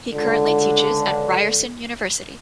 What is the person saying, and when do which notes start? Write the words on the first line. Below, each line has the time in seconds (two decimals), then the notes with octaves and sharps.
He currently teaches at Ryerson University.
0.11 C#2 D3